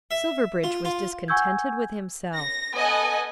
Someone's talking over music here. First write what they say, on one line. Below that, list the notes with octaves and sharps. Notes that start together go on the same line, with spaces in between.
Silverbridge was discontented with himself.
E5
F4
F4
F#5 G#5 C#6 E6 G6 G#6
A#6
B3 A4 D#5 G#5